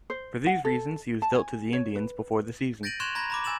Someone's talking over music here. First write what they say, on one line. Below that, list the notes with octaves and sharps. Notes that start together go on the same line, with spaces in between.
For these reasons, he was dealt to the Indians before the season.
C5
F#5
A4
A5
G#5
C#5
B4
G6 A6 A#6 D7 D#7 F#7
C6 C#6 F#6 G#6 E7 F7
A#5 B5 G#6 A#6
A#5 B5 D6
G#5 E6 A6 E7 F#7